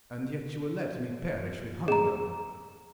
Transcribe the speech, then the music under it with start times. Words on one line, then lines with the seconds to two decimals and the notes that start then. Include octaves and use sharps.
"And yet you will let me perish with hunger?"
1.88 G#4 A#5